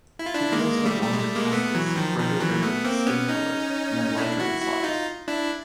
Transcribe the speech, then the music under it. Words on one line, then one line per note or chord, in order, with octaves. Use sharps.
Females have longer casques, brighter bare skin color and are larger in size.
E4
F4
D4 E4
G#3 A#3
G3 A3
G3 A3
G#3
G3 A3
G#3 A#3
A3 B3
E3 F#3
E3
D#3 F3
D#3 F3
E3 F#3
A3 B3
A#3 C4
B3 C#4
C#4 D#4
D4 E4
E4 F#4
E4 F#4
D#4 F4
D4 E4